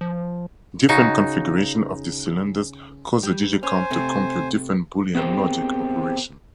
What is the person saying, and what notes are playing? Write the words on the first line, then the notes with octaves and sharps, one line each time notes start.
Different configurations of these cylinders caused the Digi-Comp to compute different boolean logic operations.
F3
C#3 D#4 F#4
G3
C#4 C5 G#5
C3 A3 C4
B3 C4 G4 G#4 A#4 C5